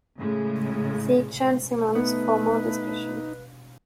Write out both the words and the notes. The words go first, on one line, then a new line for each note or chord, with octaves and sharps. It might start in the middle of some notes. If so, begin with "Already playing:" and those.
See Chern-Simons for more discussion.
A2 C#3 G#3
A3 B3 D#4 B4